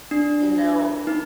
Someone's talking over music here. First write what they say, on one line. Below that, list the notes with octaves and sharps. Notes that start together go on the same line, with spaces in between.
you know
D4
D#4